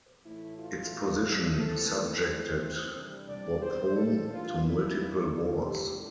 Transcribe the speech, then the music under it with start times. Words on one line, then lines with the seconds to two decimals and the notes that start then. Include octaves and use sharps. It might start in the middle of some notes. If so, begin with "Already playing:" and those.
Its position subjected Bapaume to multiple wars.
0.24 A2 E3 A3 E4
0.57 F4
1.58 E3 A3 C4 A4
1.92 A4
2.27 C5
2.93 C3 E3 G3 D4
3.27 D5
3.60 C5
3.95 A4
4.28 E3 A#3 D4 F4
4.62 E4
5.30 F4
5.63 A2 G3 D4 G4